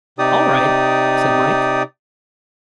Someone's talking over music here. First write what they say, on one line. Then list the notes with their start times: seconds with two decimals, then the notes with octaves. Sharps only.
"All right," said Mike.
0.19 C3 D#4 G4 D5 D#6